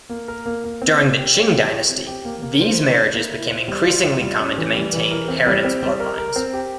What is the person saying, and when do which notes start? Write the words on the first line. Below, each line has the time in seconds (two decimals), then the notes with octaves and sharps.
During the Qing dynasty, these marriages became increasingly common to maintain inheritance bloodlines.
0.09 A#3
0.28 A#4
0.46 A#3
0.64 A#3
0.82 C4
0.99 C#5
1.18 G4
1.35 C#5
1.53 G4
1.71 C#5
1.89 C4
2.07 G4
2.25 A#3
2.42 A#3
2.61 C5
2.78 E4
2.96 E4
3.14 A#3
3.32 E4
3.50 C5
3.68 G3
3.85 F4
4.04 F4
4.21 G3
4.40 C#4
4.58 E3
4.75 G3
4.93 E3
5.11 A#4
5.28 C4
5.47 G3
5.64 C4
5.82 G3
6.00 A#4
6.18 A#4
6.36 C4
6.53 G4